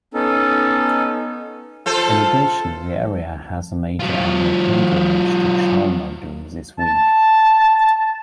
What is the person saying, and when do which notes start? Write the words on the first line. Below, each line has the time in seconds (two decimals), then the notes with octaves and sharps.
In addition, the area has a major annual pilgrimage to Chalma during this week.
0.14 B3 C#4 D#4 A4
1.86 F4 A4 C5
4.00 F#3 F4
6.79 A5